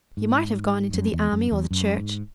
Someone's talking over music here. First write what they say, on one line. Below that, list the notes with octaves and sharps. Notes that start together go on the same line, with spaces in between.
You might have gone into the army or the Church.
G#2
F#2
E2
F#2
E2
F#2
G#2